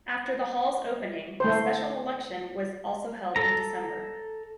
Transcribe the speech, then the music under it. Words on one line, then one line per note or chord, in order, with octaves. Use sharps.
After the Hall's opening, a special election was also held in December.
A3 C5
A4 A#5